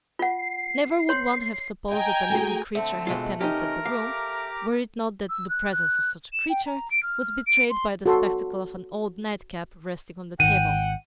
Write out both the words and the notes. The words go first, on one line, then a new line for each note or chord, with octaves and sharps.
Never would one have supposed that a living creature had tenanted the room, were it not that the presence of such a creature was betrayed by the spectacle of an old nightcap resting on the table.
F4 F#5 C7
C#5 C6
D#5 G5 G#5 A#5
A3 F#4 G#4
D3 A3 C4
B2 G#3 F4
C3 C#4 D#4 G4 A#4 D#5
G4 F5 A#5 D6
E6
F#6
F#6
E7
G5
A#5
D7
F6
D7
C6
F#4 A4 C6
G#1 D#3 F#5 G5 D#7